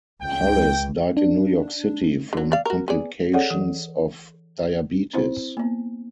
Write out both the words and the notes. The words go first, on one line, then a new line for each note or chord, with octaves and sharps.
Hollis died in New York City from complications of diabetes.
C#2 G5
D4
D3 F#3
D5 F5
F#4 A#4
B3 G#4 D5
G#4 A4 C#5 D5 F#5
E3
C4 E4 C5
A#3 B3